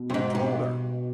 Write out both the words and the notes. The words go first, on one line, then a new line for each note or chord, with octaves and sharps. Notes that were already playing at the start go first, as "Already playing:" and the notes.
"Who told her?"
Already playing: B2
G2
G#2
G2